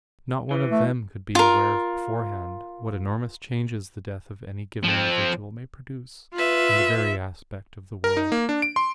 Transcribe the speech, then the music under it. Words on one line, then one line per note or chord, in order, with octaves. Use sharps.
Not one of them could be aware beforehand what enormous changes the death of any given individual may produce in the very aspect of the world.
E3
A3
F4 A#4
F3 C4
F4 B4 E5
A#4
D#4
A#3
D4
D7
C6